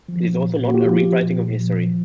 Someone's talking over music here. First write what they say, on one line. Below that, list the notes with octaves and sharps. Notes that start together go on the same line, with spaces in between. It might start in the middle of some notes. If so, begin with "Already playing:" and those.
It is also not a rewriting of history.
F3
A#2
A#2
A#3 F#4
F4 G4
F3
F3
A#2
A#2
F3
F3